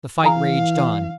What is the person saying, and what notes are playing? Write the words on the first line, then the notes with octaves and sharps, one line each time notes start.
The fight raged on.
E3 G#4 F5 A#5